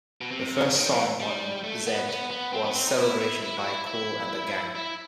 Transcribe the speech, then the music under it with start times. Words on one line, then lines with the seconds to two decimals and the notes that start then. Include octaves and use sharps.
The first song on "Z" was "Celebration" by Kool and the Gang.
0.21 B2
0.31 C3
0.75 D#3
0.90 E3
1.20 G3
1.64 A3
1.86 B3
2.09 B3
2.31 B3
2.53 C4
2.64 B3
2.75 C4
2.87 D#4
2.98 E4
3.20 E4
3.42 E4
3.58 F#4
3.64 E4
3.86 E4
4.75 E4